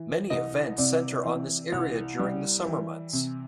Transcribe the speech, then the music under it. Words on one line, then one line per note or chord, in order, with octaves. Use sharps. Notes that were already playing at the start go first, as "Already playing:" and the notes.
Many events center on this area during the summer months.
Already playing: E3
C2 D#5
C3 D5
E3
C2
G3
E3
C3